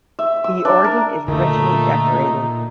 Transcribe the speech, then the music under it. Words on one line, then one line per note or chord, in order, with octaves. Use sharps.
The organ is richly decorated.
E5
E6
D4
A#4
A#2 D3 A3 D#4